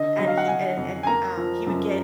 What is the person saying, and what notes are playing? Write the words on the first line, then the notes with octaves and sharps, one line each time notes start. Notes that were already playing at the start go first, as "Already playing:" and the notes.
and he and and, um, he would get
Already playing: D3 D#5
F#3 D#5
F5
F#5
F#3 G#5
F2
G#5
A#3 A#5
F3
F#2